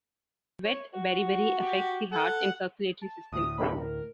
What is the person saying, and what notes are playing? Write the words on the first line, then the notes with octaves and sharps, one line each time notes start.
Wet beriberi affects the heart and circulatory system.
C#5
F#4
G4
A4 F#5
A5
D2 A2 D#6
B5
A#4